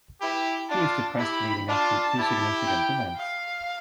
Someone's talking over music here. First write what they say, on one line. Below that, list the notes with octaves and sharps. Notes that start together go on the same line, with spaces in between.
He is depressed leading up to two significant events.
E4 G4
D4 F4 A5
E4 G4 B5
D4 F4 A5
E4 G4
G5
F5